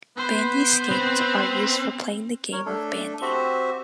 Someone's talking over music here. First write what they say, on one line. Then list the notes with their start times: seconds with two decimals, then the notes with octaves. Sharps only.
Bandy skates are used for playing the game of bandy.
0.17 B3 B4 C5
0.91 C4
2.52 A#4 C#5
2.66 A3 D4 A4
3.22 C4 F#4 G4 C5 E5